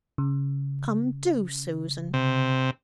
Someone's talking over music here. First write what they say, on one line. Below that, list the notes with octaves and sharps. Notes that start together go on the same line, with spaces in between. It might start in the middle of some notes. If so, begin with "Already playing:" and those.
Come, do, Susan.
C#3
C3